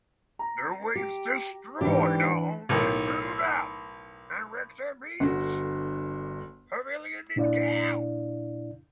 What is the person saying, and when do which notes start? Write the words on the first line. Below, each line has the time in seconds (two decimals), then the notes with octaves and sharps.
The waves destroyed a home in Puna and wrecked a beach pavilion in Kau.
0.39 A#5
0.96 G4
1.81 G#2 E3 D4 G4
2.69 B1 A2 D#3
5.20 G1 D3 F#4
7.36 A#2 D4 E4 D5 F5